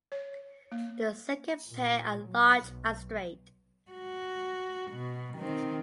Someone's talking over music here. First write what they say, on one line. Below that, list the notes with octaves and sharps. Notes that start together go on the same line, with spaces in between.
The second pair and large and straight.
C#5
A#3
A#2
F#3
B1
F#4
B2
D#3 C4